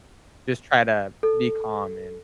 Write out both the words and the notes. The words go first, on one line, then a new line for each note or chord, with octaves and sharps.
Just try to be calm and
A4